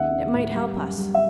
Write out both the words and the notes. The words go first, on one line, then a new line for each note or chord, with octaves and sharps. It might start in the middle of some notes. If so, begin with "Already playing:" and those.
It might help us.
Already playing: D#2 C#4 E5 F#5
C#4
A2
G3
F#2
G3
E5